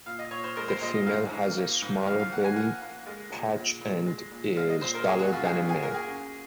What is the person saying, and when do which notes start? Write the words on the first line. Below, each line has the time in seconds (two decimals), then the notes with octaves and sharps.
The female has a smaller belly patch and is duller than the male.
0.06 A#2 F5
0.19 D#5
0.31 A#2 C#5
0.44 C5
0.57 G#3 A#4
0.68 C5
0.82 A#2 D#5
0.94 D#5
1.06 G#2 F5
1.31 G#2
1.57 A#3
1.82 G#2
2.06 F3 F5
2.19 F5
2.32 A#3 F#5
2.44 G#5
2.56 A#3 F#5
2.81 A#3
3.06 G#3
3.31 A#2
3.57 A#2
3.81 A#2
4.06 G#3
4.32 A#2
4.57 G#3 F5
4.69 D#5
4.81 A#2 C5
4.94 A#4
5.07 A#3 G#4
5.19 F#4
5.32 F#2 F4
5.45 G#4
5.58 A#3
5.69 G#4
5.82 A#3 A#4
5.94 G#4
6.07 C#3